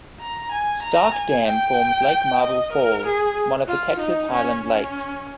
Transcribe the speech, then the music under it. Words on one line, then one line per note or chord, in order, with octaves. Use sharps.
Starcke Dam forms Lake Marble Falls, one of the Texas Highland Lakes.
A#5
G#5
A#5
G#5
G5
D#5
A#4
G#4
F4
D#4
C#4
C#4